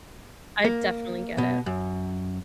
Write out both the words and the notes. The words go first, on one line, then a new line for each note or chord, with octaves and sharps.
I definitely get it.
A#3
B2
F#2